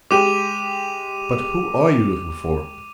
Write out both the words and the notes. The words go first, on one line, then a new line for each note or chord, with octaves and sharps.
But who are you looking for?
G#3 G4 D6 D#7 F7